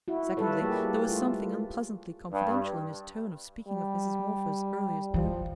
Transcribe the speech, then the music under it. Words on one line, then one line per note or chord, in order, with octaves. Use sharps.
Secondly, there was something unpleasantly confidential in his tone of speaking of Mrs. Morpher's earliest born.
E4 F#4
G3 F4 A4 B4 C#5
A#3 G4 G#4
A3 F4
G2
G3
E3 F3